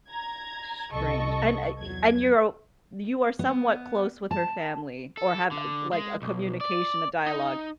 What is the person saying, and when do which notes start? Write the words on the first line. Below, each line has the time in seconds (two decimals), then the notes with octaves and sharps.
strange, and, I eh, and you're o you are somewhat close with her family or have, like, a communication, a dialogue
0.11 A#5 G#6
0.93 C2 A4 D#5 C#6
1.80 E2 F#3 G#6
3.39 B3
4.31 A5
5.17 A4
5.51 D3
5.93 G#3
6.22 B1
6.61 D5
7.26 D#4